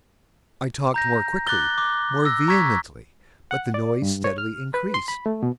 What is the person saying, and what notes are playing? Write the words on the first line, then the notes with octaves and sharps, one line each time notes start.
I talked more quickly--more vehemently; but the noise steadily increased.
A#5 G6 A#6
D6 F#6 A6 G7
D6
E6 A#6
A#5 C#6 G#6 B6
F#5
D5
G2
C#5
F6
B4
C6
B5
A3
B2